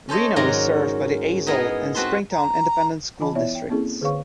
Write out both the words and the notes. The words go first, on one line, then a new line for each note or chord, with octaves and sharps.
Reno is served by the Azle and Springtown Independent School Districts.
C#4 A4 C5 C#5 D#5
G#2 D#3 F#3 C#4 A#4 D5
B3 D#4 E4 G#4 A#4
C4 F#4 B4 A5 C6
A#5
E3 F4 D#5 G#5 A5 B5
B3 E4 C#5 D5 E5
G5
A#3 C4 C#4 E4 G#4 A4
D3 G#4 B4 C#5 F5 C#6